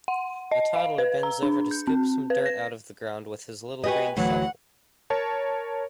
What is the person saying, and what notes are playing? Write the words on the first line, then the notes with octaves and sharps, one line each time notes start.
A toddler bends over to scoop some dirt out of the ground with his little green shovel.
F#5
D#5
F5
B4
A#5
D4
G6
C4
B4
A#6
F#4 G4 B4 D#5 G#5
D2 E3 F#3 F#5
A#4 C#5 A5